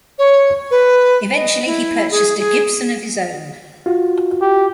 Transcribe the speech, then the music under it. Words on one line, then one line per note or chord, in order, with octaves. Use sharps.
Eventually he purchased a Gibson of his own.
C#5
B4
D#5
E4
G#4
G#4
F4 F#4
G4